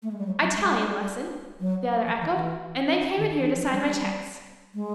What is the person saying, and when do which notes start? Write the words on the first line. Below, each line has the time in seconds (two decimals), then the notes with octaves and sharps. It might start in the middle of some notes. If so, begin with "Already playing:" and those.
"Italian lesson," the other echoed, "and then came in here to sign my cheques."
0.03 A3
0.12 G#3
0.18 G3
0.27 F#3
0.41 F#3
0.56 G#3
0.71 G3
1.60 F#3
2.06 F3
2.21 E3
2.35 E3
3.17 D#3
3.39 E3
3.55 F3
3.70 G3
4.75 G#3